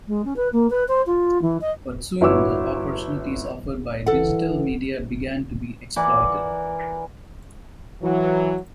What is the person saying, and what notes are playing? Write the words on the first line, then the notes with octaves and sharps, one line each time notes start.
But soon the opportunities offered by digital media began to be exploited.
G#3
C#4
B4
A#3
B4
C5
F4
E3
D#5
G1 E4 F#4 C#5 D6 E6
E3 A4 F#5
E3 A#4 D5 F#5
E3 F#3